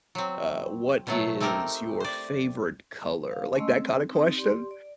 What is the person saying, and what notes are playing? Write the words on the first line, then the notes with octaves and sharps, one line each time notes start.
uh, "What is your favorite color?" like, that kinda question,
F#3 C4
B2 F#3 A3
A3 C4 D#4 G4 A#4
C5 D5
F5
G#3 A3 C#4 D#5 C6 E6
C4
C4 D#4
G4 D5 C6
D5